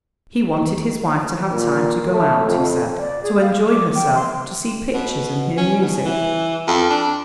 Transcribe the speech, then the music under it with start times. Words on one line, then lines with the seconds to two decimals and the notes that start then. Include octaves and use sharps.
He wanted his wife to have time to go out, he said; to enjoy herself; to see pictures and hear music.
1.51 A#2
2.11 A3
2.46 F2
2.99 D5
3.23 G#4
3.40 F5
3.69 D6
3.95 G5
4.15 C6
4.94 B2
5.57 C#4
5.82 B2
6.05 E3
6.68 F2
6.90 D4